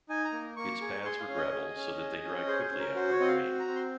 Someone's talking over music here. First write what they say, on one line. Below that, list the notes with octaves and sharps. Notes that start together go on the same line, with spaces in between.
Its paths were gravel, so that they dried quickly after a rain.
D#4 G#5
A#5
A#3
A#3 C#6
G#4
G#4 C6
F5
C#4
D#5
G#4
C#4
G#4
C#4
G#4 C5
C5
C#4
A#4
F#4 C5
C#5
C4 D#5
F5
F#4
A#5
C4
C6